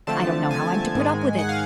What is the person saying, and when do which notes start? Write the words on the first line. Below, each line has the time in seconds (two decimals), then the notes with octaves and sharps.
I don't know how I'm to put up with it.
0.07 D3 F3 A3 C4 A5
0.51 G#5
0.95 G#2 D#3 G#3
1.39 F#5
1.49 F5